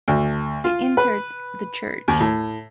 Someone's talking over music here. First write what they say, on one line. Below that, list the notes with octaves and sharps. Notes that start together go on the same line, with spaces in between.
He entered the church.
D2
F4
B4
D#2
A2